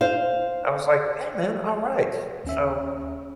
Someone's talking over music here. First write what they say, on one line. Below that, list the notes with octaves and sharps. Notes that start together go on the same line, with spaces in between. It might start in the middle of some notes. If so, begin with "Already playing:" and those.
I was like, "Hey man, alright!" So
C5 F5
D#2 C#4 E5